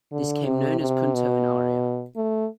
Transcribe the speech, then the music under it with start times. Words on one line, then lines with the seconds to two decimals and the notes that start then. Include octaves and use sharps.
This came to be known as "punto in aria".
0.12 D3
0.45 C3
0.80 C3
1.14 B2
2.16 A3